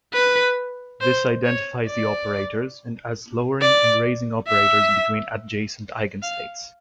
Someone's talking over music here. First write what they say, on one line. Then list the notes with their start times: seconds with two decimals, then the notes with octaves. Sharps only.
This identifies the operators and as "lowering" and "raising" operators between adjacent eigenstates.
0.14 B4
1.01 C5
1.45 C#5
1.88 D5
3.61 D5
4.47 E5
6.22 F5